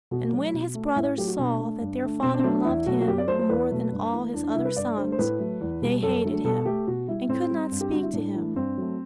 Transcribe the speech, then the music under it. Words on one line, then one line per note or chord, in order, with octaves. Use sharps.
And when his brothers saw that their father loved him more than all his other sons, they hated him, and could not speak to him.
B2 F#4
F#3 A3
B2
A3
A2 E4
F#3 A3 G4
F#4
B2 D4
A3
G2
D3 A3
B2 C4
D4
C4
F#3 A3 D4
D4
E2 E4
B2 F#3 A3 F#4
F#4
F#2 G4
D5
F#3 A3 C5
C5
E2 B4
B2 F#3 A3
G2
E3 A3
E2 D4
D4
C3 G3 E4
B4
G2 D5
D3 A3 C5
C5
A2 B4
F#3 A3
E2
B2 G3
F#2 A4
D3 F#3 A3
B2 A4
A3 G4
B2 F#4
G3 E4
A2 C4
G3
G2
G4
D3 G3 F#4
E4
A2 D4
E3 A3
G2 C4
F#3 A3